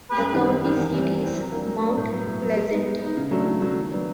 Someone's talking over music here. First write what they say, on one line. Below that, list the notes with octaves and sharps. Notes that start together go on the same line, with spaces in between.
The county seat is Mount Pleasant.
F#2
D#3 G3 C4
F#2
D#3 G3 C4
E2
C3 E3 G3 C4
E2
C3 E3 G3 C4
F#3
A#3 D4
F#3
A#3 D4
A2
F#3 B3
A2
F#3 B3
G#3
B3 D#4
G#3
B3
D#4
C#3
F#3 A3 D4 F#4
C#3
F#3 A3 D4 F#4
D#3
F#3 B3 D4